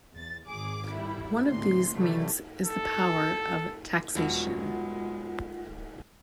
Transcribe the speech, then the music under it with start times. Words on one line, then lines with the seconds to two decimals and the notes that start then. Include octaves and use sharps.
One of these means is the power of taxation.
0.12 E2 A6
0.47 G#1 G#4 D6
0.90 G3 E4
1.47 D2 A2 C3 C6
1.97 C3 D#3 F#3 G3 A3
2.65 A4
4.15 E2 G2 B2 F#3 G#3 F4 F#5